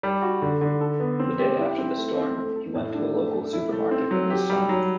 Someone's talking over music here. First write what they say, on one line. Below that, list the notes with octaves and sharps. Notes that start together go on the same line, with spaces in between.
The day after the storm, he went to a local supermarket with his son.
G3
F#4
D3
D3
A4
B3
C4
G4
E4
C4
A3
C4
A3
A4
A2
D4
A3
A3
E4
A3
C4
F#3
G4
G3
F#3